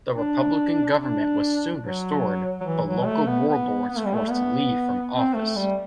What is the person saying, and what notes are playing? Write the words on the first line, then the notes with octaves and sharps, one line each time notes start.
The Republican government was soon restored, but local warlords forced Li from office.
D4
D4
F#3
F#3
E3
F#3
A3
B3
B3
B3
A3
G3
A3
B3
C4
A3
G3